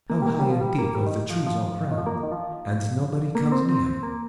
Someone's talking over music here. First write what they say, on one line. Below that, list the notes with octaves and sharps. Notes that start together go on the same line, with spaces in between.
How high and thick are the trees all round! and nobody comes near.'
A#3
G3
A#3
G3
F3
G3
A#3
G3
D#3
F3
F3
D#3
F3
A#3
D#3
F3
A#3
C4
C4
C4
A#3